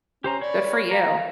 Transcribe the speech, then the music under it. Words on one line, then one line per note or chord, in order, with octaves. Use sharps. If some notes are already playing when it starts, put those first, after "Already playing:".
Good for you.
C#4 G4 C5 A#5
C#5 D5 B5 C#6
F5 A#5